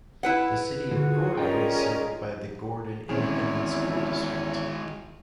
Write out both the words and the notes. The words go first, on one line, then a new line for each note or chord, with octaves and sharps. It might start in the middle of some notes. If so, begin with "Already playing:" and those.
The City of Gordon is served by the Gordon Independent School District.
E4 B4 F#5
D3 F4 F#4 G#4
C#4 A#4 D5 D#5 G5
E2 D#3 G#3 C4 C#4 E4 G#4 C#5